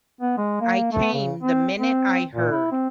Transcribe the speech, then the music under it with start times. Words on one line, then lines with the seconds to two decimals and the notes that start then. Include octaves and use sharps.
I came the minute I heard.
0.21 B3
0.37 G#3
0.61 A#3
0.92 A3
1.13 C#3
1.42 C4
1.79 C4
2.35 A#2
2.51 E4
2.72 C4